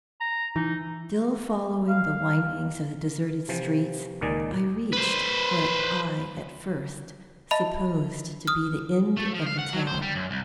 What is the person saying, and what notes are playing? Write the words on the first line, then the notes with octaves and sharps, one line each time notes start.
Still following the windings of the deserted streets, I reached what I at first supposed to be the end of the town.
A#5
E3 D#4
F5
C3 E3 F3
C#2 A#2 D#3 D5 D#5 G#5
B4 C5
D#5 E5 A5 B5
D#6 F6
A3
F3
F5
F#5
F#3
C5
G3
F#2
C2